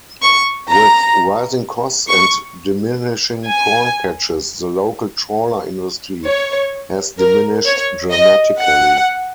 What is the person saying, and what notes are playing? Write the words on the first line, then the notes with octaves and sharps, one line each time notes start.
With rising costs and diminishing prawn catches, the local trawler industry has diminished dramatically.
C#6
A#5
C#6
G#5
C#5
A#4
C#5
D#5
F#5